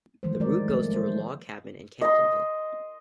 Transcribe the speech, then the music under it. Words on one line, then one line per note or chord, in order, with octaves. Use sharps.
The route goes through Log Cabin and Camptonville.
D#3 E3 F#3 G#3 A3 C5
G#3 A3 A#4 D5
F3 A3 A#3
G#3 C5
D#5 C6